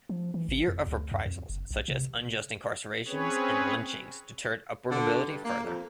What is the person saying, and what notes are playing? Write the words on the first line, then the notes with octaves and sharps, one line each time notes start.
Fear of reprisals such as unjust incarcerations and lynchings deterred upward mobility further.
F3
E3
G#1
F2
D2
F#2
F2
F#1
A#1
C3
C4 C#4 G#4 B4 C#5
D3
G2
A#3
F2